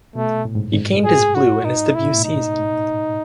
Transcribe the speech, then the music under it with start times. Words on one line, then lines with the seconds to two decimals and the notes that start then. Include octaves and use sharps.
He gained his blue in his debut season.
0.15 B2 A3
0.45 A2
0.55 G#2
0.64 F#2
0.73 G#2
1.05 G#4
1.35 F#4
1.65 D#4
1.94 A2 E4
2.04 B2
2.14 A2
2.24 D#4